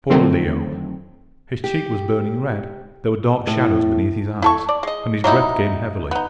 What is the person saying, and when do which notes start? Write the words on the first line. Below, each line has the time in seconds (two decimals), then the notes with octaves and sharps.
Poor Leo! his cheek was burning red, there were dark shadows beneath his eyes, and his breath came heavily.
0.10 F2 D3 D#3 F#3 A3 C4
1.64 G4
3.47 A2
4.42 E4 A4 C#6
4.69 D5
4.83 G#3 D#5
5.24 F#3 G3 D#4 E4
6.11 B3 D#4